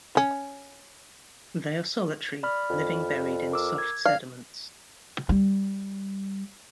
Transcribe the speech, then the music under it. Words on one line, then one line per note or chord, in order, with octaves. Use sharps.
They are solitary, living buried in soft sediments.
C#4
D5 B5 F6
F2
A#4 D6 E6
G#6
D4 F5
G3